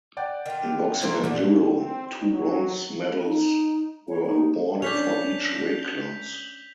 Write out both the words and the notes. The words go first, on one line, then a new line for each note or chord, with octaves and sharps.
In boxing and judo, two bronze medals were awarded for each weight class.
D5 F#5 G5
D#3 F4
F3 A3 A#3 F4 C5 A#5
A#2 D3 A3 A4
C4
F#3
D#4
C#5
D#4
C#4 D4 G6 B6 F7